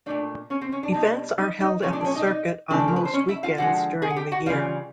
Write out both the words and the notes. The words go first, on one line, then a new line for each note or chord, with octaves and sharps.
Events are held at the circuit on most weekends during the year.
A#2 F#3 A3 D4 D5
C#4 C#5
C4 C5
C#4 C#5
D4 D5
B2 G3 D#4 D#5
D#4 D#5
D#4 D#5
A#2 F3 G#3 C#4 C#5
D4 D5
C#4 C#5
D#4 D#5
D5
D#4 D#5
C#3 F3 A3 D4 D5
A4
A#4
B4
C5
C#4 C#5
E4 E5
F4 F5
D3 F3 G#3 F#4 F#5
G#4 G#5
F#5
G4 G5
F#4 F#5
C#3 E3 G3 F4 F5